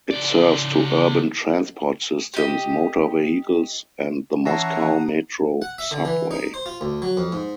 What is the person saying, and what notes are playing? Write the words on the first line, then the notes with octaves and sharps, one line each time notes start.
It serves two urban transport systems: motor vehicles and the Moscow Metro subway.
C#3 D5
G4 D#5
E3 C#4 F#5 A5 A#5 D#6 A#6 C7
F#5
E5
D3
E3
D#4
C5
F4
D2
F#3
F2
G#2